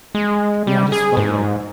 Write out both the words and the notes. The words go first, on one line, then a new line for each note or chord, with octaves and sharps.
but, yeah, I just felt I
G#3
G3
G#4
G#2